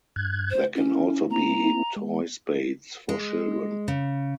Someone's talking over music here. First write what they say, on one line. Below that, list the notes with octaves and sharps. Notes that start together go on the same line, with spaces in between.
There can also be toy spades for children.
G2 F#6 G#6
C5
C#4 E4
A#3 C4 E4 A#5
G#3
G#3
C#3